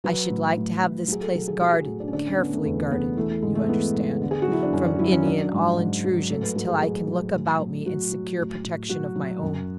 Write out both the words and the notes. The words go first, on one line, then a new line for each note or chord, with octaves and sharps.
I should like to have this place guarded--carefully guarded, you understand--from any and all intrusion till I can look about me and secure protection of my own.
F#3 B4
A2
A2
A2
F#3 G#4
A4
F#3 A4
G#4
F#3 F#4
G#4
A2 F#4
D4
C#4
D3 D4
C#4
D3 B3
A3
E2 A3
E2 B3
E3 A3
A3
G#2 G#3
A3
E3 B3
G#2
D3
G#4
F#4
F#3 E4
D4
F#2 C#4
D4
F#3 E4
C#4
F#3 D4
G#2
G#2
F#3
A2 A4
B4
F#3 A4
G#4
F#3 G#4
F#3
A2
F#3
F#3 F#4
F#3
A2
A2
F#3 F#4
F#3
F#2